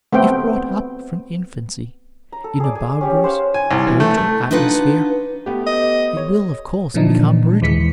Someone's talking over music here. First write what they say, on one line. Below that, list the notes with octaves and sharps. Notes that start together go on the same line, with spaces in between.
If brought up from infancy in a barbarous, brutal atmosphere, it will, of course, become brutal.
A3 B3 C4 G5
A#5
A4
G#4 D5
G#5
C#4 G4 C#5
C5 F5 F#5
G#5
C2
E3
A3
A3
D4 D#4 F4 B4 F#5
A3 B3 G4
D#5
C#5
A#2 D3 E3 F3 D4 D#4
D#2 E3 G#3 B6 C#7